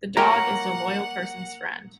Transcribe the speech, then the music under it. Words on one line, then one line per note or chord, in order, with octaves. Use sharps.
The dog is the loyal person’s friend.
A#3 G4 A#4 C#5 F#5 G5 A#5 F6